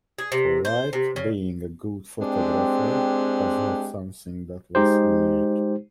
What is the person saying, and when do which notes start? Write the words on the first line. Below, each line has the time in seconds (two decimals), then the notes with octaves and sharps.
For White, being a good photographer was not something that was innate.
0.19 G#4
0.32 C3
0.65 C5
0.93 C3
1.16 C#3
2.20 G#3 C4 D4 G4
4.75 G#3 D#4 G4 C5